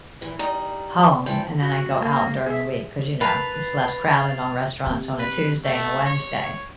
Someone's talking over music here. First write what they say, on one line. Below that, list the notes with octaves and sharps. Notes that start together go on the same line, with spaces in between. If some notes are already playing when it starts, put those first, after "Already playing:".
home, and then I go out during the week 'cause, you know, it's less crowded on restaurants on a Tuesday and a Wednesday.
A#2 E3
G3 D#4
E3 F3 G5
F#4
A#3
G#4 E5
A#4 B4 A5 A6 C7 F7
C3
B4
A3
C#5